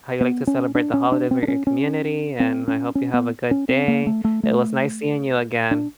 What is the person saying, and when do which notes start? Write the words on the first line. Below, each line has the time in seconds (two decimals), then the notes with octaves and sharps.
how you like to celebrate the holidays with your community, and I hope you have a good day. It was nice seeing you again.
0.21 B3
0.47 C#4
0.75 D4
0.94 C#4
1.12 D4
1.31 C4
1.43 D4
1.48 C#4
1.67 C#4
2.40 C4
2.68 C#4
2.95 C#4
3.14 B3
3.51 C#4
3.69 C4
3.88 A#3
4.07 A3
4.24 A3
4.43 A3
5.71 D4